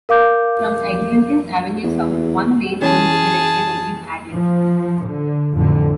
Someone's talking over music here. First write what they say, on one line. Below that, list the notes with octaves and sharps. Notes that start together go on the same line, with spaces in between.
From Eglinton Avenue south, one lane in each direction would be added.
A#4 F5 D6 G6
E2
E3 C#4 G#4 A5
F3
D3
A1 F2 D3 E3